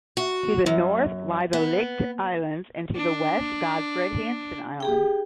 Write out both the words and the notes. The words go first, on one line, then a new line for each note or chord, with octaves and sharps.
To the north lie the Licht Islands and to the west Godfred Hansen Island.
F#4
F#2
B3
D4
G4 G#4 G5